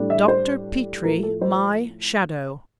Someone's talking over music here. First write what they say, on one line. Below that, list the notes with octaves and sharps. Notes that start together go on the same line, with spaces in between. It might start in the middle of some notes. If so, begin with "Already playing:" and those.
Dr. Petrie--my shadow...
Already playing: A2 G3 D4
E5
C5
A2 F3 A3 A#4
A4
C5